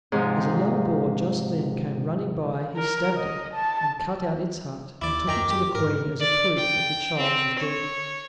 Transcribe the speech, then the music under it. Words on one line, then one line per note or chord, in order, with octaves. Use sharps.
As a young boar just then came running by he stabbed it, and cut out its heart and took it to the Queen as a proof that the child was dead.
G#2 C3 F3
A#4
D#5
A5
D#2 E4 D5 D6
F#2 D#3 G5 A#5
G4
G#2 A#4
D5
G5
C4
C#5